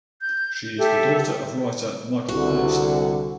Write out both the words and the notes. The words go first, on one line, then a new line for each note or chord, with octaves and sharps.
She is the daughter of writer Michael Hirst.
G6
G4 A4 E5
C2 D3 F#4